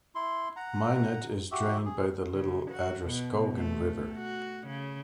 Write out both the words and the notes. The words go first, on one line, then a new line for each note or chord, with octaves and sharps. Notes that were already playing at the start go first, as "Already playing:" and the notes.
Minot is drained by the Little Androscoggin River.
E4 C6
F#5 A#5
F#4 G4 E5
G#4
C#3
F#4
B2
A3
F#4
C#3